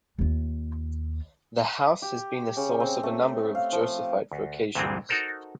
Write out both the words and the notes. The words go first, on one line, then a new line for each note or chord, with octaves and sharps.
The house has been the source of a number of Josephite vocations.
D#2 F4
G4
C#3
C4
A3
F5
F3
D2
D2 G2 A#2 E3 G#3 C4
D#4 F#4 A4 A#4 C5